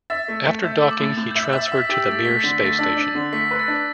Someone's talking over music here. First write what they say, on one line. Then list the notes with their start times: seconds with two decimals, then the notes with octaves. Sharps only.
After docking he transferred to the Mir Space Station.
0.10 E5 A6
0.28 A3
0.46 A3
0.64 E5 G6
0.77 A3 E6
0.91 D6
1.00 A2 A6
1.17 A2
1.31 E5 G6
1.45 E6
1.53 E5
1.58 A6
1.71 E5 B6
1.85 E6
1.89 G4
1.98 E6
2.08 A3 A6
2.25 A3 B6
2.39 D3 A6
2.52 B6
2.61 A3 A6
2.79 D4 E6
2.97 D4
3.06 A6
3.15 D3
3.33 A3 B6
3.51 B4
3.59 A6
3.68 D4